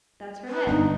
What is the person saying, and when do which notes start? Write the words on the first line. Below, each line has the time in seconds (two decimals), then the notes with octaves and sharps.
That's her head.'
0.48 B4
0.67 G1 D4 D#4